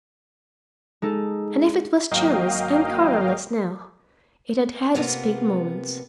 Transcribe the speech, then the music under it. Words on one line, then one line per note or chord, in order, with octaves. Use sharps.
And if it was cheerless and colorless now, it had had its big moments.
G#3 D#4 A4
G#1 F#3 A#3 D#5 F5 G5
C3 F3 A#3 B3